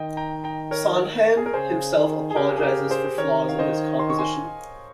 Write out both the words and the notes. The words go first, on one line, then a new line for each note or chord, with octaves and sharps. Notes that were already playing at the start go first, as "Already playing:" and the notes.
Sondheim himself apologizes for flaws in his composition.
Already playing: D#3 D#5 G5
G5 A#5
G5 A#5
A#4 C#5
G#4
A#4
C#3 G#4 C5
D#3
G#4
C#3 G4 A#4
G#4
G4 A#4
G#4 C5
D#3 A#4 C#5
F5
C5 D#5
C6
C#6
G#5 C6